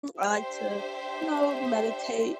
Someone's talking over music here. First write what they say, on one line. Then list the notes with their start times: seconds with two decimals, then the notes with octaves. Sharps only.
I like to, you know, meditate.
0.20 D4 G4 C5 E5